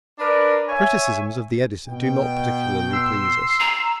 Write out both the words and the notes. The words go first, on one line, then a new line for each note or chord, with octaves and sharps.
The criticisms of the editor do not particularly please us.
D4 A#4 B4 D5
C#5 E5 G#5
B2 G5
C6 E6
A#5